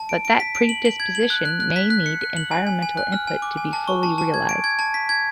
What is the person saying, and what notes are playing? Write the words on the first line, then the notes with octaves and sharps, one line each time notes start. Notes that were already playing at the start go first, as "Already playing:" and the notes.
But that predisposition may need environmental input to be fully realized.
Already playing: A5
D7
D7
B6
D7
F#7
F#7
G#6
F#7
F#6
F#6
F#6
B6
F#6
C#7
F#6
F#7
G#5
G#5
G#5
F#6
F6
G#5
D6
G#5
A5
C#6
A5
A5
G#6
D7
G#6
A5
B6
G#6